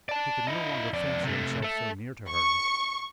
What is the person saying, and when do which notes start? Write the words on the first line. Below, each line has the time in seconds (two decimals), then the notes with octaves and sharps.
He could no longer fancy himself so near to her.
0.09 D5 A5
0.47 E4 D#5
0.93 F2 D5
1.24 C3 A3
1.63 A4 E5
2.30 C#6